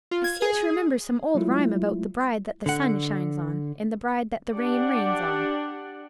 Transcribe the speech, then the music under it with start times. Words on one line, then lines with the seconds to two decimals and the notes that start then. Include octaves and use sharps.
"I seem to remember some old rhyme about the bride that the sun shines on, and the bride that the rain rains on."
0.11 F4
0.24 G#6
0.42 G#4
1.35 F#3 G#3 A3 E4 F4
2.66 D3 F#5
4.51 D4 G4 D5 F#5